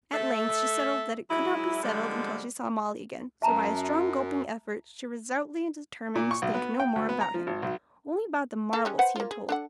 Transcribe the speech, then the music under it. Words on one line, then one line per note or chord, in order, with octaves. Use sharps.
At length she settled that it could not be settled until she saw Molly again; so, by a strong gulping effort, she resolutely determined to think no more about him, only about the marvels he had told.
A3 A4 E5
F#3 G#3 E4
D3 F3 G3 G#3
F#2 E5 A5 A#5
A#2
C#6
B1
B3
G5
D2
B3
A#5
F3
G#1
B1
A3 A4 F5
G3 G#3 C#4
B4 C5 F#5
A#3 F4
G#4
D4 A4 F#5